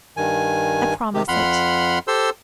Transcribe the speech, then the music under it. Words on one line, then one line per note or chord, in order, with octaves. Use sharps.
"I promise it."
G2 D#3 G#5
C3 D#3 G4
F2 F#5 B5 C6 F6
G4 A4 C5 C6 E6